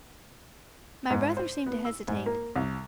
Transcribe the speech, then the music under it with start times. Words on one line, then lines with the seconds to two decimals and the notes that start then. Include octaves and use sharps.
My brother seemed to hesitate.
1.10 G#2
1.37 C5
1.66 B3
1.85 E6
2.08 G#2
2.26 A#3
2.56 C2